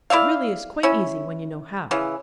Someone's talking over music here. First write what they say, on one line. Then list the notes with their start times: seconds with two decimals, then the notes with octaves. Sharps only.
It really is quite easy when you know how.
0.10 E4 D5 E5 F5
0.83 C#4 E4
1.91 C#3 E3